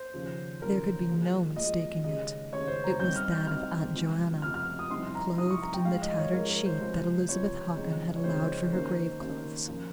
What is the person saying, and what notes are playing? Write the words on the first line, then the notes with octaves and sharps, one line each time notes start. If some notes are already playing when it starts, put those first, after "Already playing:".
There could be no mistaking it--it was that of Aunt Joanna, clothed in the tattered sheet that Elizabeth Hockin had allowed for her grave-clothes.
Already playing: C5
D#2 C#3 F3
D#2 C#3 F3 A#4
A#2 F3 G#3
A#2 F3 G#3 D#5
D#2 C#3 G#3 D#5
D#2 C#3 G#3 C#5
C5
A#5
G2 G3 C4 D#4 G6
F6
G6
G2 G3 C4 D#4 F6
C#2 C3 F3
C#2 C3 F3 F6
F6
D#6
C2 C3 F3 C4 D#4 C6
A#5
C2 C3 F3 C4 D#4 D#6
C#6
A#5
G5
G#2 F3 G#3 F5
D#5
C#5
G#2 F3 G#3 A#4
A#4
C5
C#2 C3 F3
C#2 C3 F3 C#5
F2 C#3 G#3 C4 D#4
C#5
F2 C#3 G#3 C4 D#4 C5
D#2 D#3 A#3 C#4 C5
D#2 D#3 A#3 C#4
A#2 F3 A#3 C#4